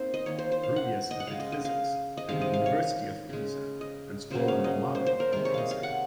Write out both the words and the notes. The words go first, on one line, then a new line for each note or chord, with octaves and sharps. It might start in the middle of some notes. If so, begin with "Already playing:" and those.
Rubbia studied physics at the University of Pisa and Scuola Normale in Pisa.
Already playing: A#3 C4 D#4 A#4 C5
D#5
D#3 A#3 C#5
C5
C5
F5
F#5
D#5
F#5
C#3 G#3 F5
D#5
D#5
F5
D#5
C3 D#3 G#3 F5
D#5
F5
C#5
C#3 G#3
D#5
C#3 F#3 A#3 C5
F5
D#5
C5
C5
A#4
C3 D#3 G#3 A#4
C#5
D#5 F5
F5
F#5